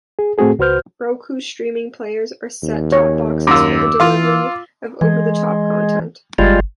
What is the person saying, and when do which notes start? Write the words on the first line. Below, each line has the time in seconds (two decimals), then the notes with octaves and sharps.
Roku Streaming Players are set-top boxes for the delivery of over-the-top content.
0.19 G#4
0.38 A2 A3 C4 F#4 G#4 A4
0.59 C#2 F#4 B4 C5 F6 G6
2.63 D#2
2.92 C#5
3.47 F#2 F4 D6 E6
4.00 E3 F4 F5
5.01 E3 G#3
6.38 G1 G3 G#3 F4